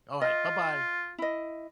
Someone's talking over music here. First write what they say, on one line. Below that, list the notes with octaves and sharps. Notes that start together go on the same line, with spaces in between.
all right, buh-bye.
F4 D#5
E4 D#5